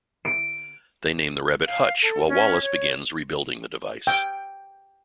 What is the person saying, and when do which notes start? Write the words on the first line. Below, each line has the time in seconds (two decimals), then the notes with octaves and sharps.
They name the rabbit Hutch while Wallace begins rebuilding the device.
0.25 D7
1.67 F5
2.02 A4
2.28 C#4
2.62 C#5
4.07 G5